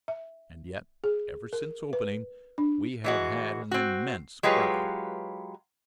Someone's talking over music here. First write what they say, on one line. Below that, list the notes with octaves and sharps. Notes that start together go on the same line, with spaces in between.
And yet, ever since opening, we have had an immense crowd.
E5
G#4
A#4
B4
D4
E3 G#3 F#4
C4 F#4
F#3 G#3 F4 G4 B4 C#5